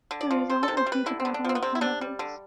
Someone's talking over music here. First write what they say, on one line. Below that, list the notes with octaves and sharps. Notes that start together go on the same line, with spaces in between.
The result would be the Battle of Dennewitz.
D3
D5
F3
C3 C5
A4
C3
C5
G3
B4
D3 E4
C4
D3
D4
F3 C4
B3
C3 C4
E4
C3 D4
G3
D3